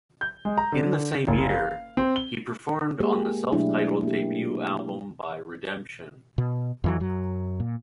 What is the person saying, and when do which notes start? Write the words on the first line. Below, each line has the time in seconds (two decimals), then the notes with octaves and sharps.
In the same year, he performed on the self-titled debut album by Redemption.
0.21 G6
0.45 G#3
0.58 A#5
0.72 D3
1.28 F#1
1.51 F5
1.97 C4
2.16 G7
3.00 G#3 A#3 G4 G#4
3.52 B2 F#3 A3 D4 E4
4.03 A#3 G4
6.38 B2
6.84 F2 E3 F#3
7.00 F#2 F#3
7.60 A#2